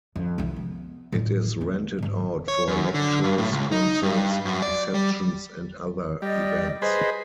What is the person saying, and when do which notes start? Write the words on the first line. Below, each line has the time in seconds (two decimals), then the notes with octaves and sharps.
It is rented out for lectures, concerts, receptions and other events.
0.16 F2
0.38 C2 E3
0.56 B3
1.12 A2 E3
1.61 A#3 C#4
1.99 G#2 D#3
2.48 C#5
2.68 F#2
2.94 D3
3.24 G2
3.38 A2
3.52 C#2
3.72 D#4
4.03 G2
4.45 F#2
4.62 D5
4.94 G3
6.22 G3 D5 D#5
6.82 G#4 B4 C5 D#5